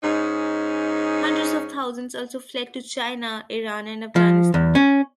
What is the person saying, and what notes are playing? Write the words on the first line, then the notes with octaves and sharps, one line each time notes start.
Hundreds of thousands also fled to China, Iran and Afghanistan.
G#2 C#4 D#4
F3
E2
C#4